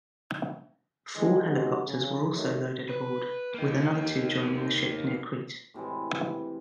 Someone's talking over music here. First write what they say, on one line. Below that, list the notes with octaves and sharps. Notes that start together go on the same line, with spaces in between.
Four helicopters were also loaded aboard, with another two joining the ship near Crete.
D3 E3 G#3
G#3 B3 C#4 D#4 F#4 G4
C#3
D#3 F#3 A3
B4
A#3 D#4
A2 C3 E3 G#3